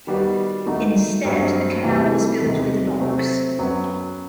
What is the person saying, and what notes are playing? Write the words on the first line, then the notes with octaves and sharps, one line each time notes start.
Instead the canal was built with locks.
D#3 G3 B3 F#4
D#3 A3 D#4 F#4
G2 F#3 A3 C4 F#4
C3 E3 G3 D#4 F#4
E2 C3 D#3
C3 F#3 A3 C4
F#2 F#3 B3